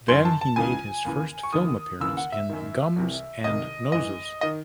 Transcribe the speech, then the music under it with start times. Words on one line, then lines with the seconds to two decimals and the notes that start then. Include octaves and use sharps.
Then he made his first film appearance in "Gums and Noses".
0.08 F#2 D#3 C6
0.25 A5
0.41 A5
0.56 C#2 C#3 E3 G#5
1.05 D#2 C#3 E3
1.43 C#6
1.53 D#2 D#3 D#6
2.00 D#2 C#3 E3 E6
2.17 F#5
2.32 E5
2.49 F#2 D#3
2.96 C2 C3 E3
3.44 C2 C3 D#3 D#5
3.92 F#2 E3 D#5
4.41 D#3 D#5